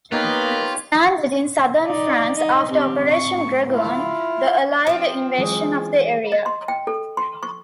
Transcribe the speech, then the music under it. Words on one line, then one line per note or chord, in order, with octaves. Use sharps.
It landed in southern France after Operation Dragoon, the Allied invasion of the area.
A#3 B3 D#4 F4 G4 B4 C#5 D#5
D#4 D5
D#4 D#5
C4 G4
C#6
E4 F4
F3 C4
E3 G#3
D#5
C6
G5
A4
C6
C#6